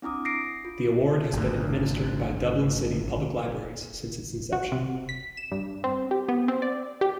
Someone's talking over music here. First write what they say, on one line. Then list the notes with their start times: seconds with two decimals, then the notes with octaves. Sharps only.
The award has been administered by Dublin City Public Libraries since its inception.
0.02 C4 D4 E4 D6 D#6
0.25 A#6 C7 D7
0.65 F4
1.33 G#1 D2
4.52 F#4
4.72 C3
5.09 B6
5.37 E7
5.51 G2
5.84 C4
6.11 G4
6.29 B3
6.48 C4
6.62 D5
7.01 G4